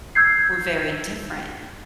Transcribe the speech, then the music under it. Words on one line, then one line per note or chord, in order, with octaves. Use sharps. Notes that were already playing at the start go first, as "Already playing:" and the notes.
we're very different.
E6 G6 G#6 C7